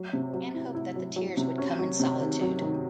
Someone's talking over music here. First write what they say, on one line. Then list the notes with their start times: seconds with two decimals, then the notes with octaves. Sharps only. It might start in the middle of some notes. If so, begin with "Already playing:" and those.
Anne hoped that the tears would come in solitude.
Already playing: F#3
0.13 C3
0.33 F#3
0.54 E4
0.75 E4
0.96 F#3
1.16 F#3
1.37 C3
1.58 C#4
1.79 F#3
2.00 C3
2.20 D#3
2.41 F#3
2.62 D#3